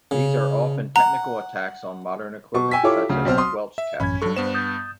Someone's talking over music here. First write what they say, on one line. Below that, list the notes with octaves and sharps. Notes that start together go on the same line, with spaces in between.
These are often technical attacks on modern equipment, such as "squelch capture".
C#3
F#5 A#5
B2 C#6
G5 G#5 E6 B6
E4 F4 G4 A4 C#5 D6
D2 C#3
B1 C4 C5 F6
C6 D#6
E5
A1 F#2 C#4 B5 G#6
G2 F#3 A4 C#6
G2 B3 C5 E7
D#6 G6 A6